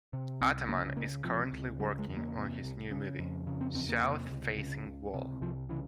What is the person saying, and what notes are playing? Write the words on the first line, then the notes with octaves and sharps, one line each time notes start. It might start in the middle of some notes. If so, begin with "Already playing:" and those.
Ataman is currently working on his new movie, "South Facing Wall".
C3
C2 C4
C#3 A#3
C#2 A#3
C3 F3
C#2
C#3 G3
G#3
E2
A#3
C3
C2
C#3
F2
C#3
C4
E2 C4
A#3
C3
C#2
C#3
C#2
C3
C2 F3
C#3 E3